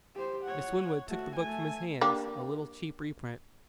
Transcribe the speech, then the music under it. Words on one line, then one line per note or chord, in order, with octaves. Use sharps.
Miss Winwood took the book from his hands--a little cheap reprint.
G4 C5
C#5 F#5
A3 F#4
A3 G#5
A#3 D4 G4